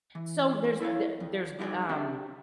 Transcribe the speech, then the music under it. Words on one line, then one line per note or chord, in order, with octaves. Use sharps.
som there's the there's, um,
E3
E4 A4 C#5 F5
F2
G3 D#4 E4 F#4 G#4 D5
C4 D4 G4 E5